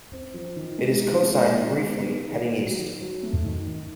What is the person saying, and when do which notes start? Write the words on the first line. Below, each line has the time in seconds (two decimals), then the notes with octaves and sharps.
It is co-signed briefly heading east.
0.12 C4
0.34 F3
0.56 D#3
0.79 G#3
1.01 D#4
1.23 G#3
1.45 D#4
1.66 G#3
1.89 B3
2.12 D#4
2.34 D#3
2.56 F#3
2.78 D#3
3.01 F#3
3.23 A3
3.45 D#3
3.67 D#3